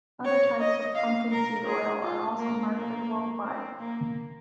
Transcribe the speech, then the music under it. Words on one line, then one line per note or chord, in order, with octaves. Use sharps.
Other types of pumpkin seed oil are also marketed worldwide.
C#5
D#5
F5
A#4
G#4
F4
A#3
A#3
C4
A#3